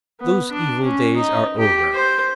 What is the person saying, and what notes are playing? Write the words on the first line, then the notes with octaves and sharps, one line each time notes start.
Those evil days are over.
B3
D4
C#4
D#4
G4
C5